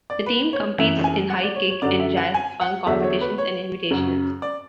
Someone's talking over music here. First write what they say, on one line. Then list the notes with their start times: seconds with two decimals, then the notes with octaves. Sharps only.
The team competes in high kick and jazz funk competitions and invitationals.
0.10 D5
0.26 B4
0.53 C#5
0.78 F#2 E3 E5
1.04 G#5
1.30 F#5
1.43 D5
1.56 C#5
1.70 C#5
1.82 F#2 D3 F#3 D5
2.00 E5
2.17 F#5
2.34 G#5
2.61 F#5
2.86 E2 D3 F#3 E5
3.04 C#5
3.21 B4
3.38 C#5
3.91 F#2 C#3 F#3
4.42 D5